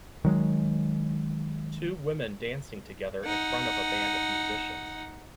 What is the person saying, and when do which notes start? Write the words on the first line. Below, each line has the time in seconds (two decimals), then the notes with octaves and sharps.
Two women dancing together in front of a band of musicians.
0.25 D#3 F#3 G#3
3.24 D#4 F#5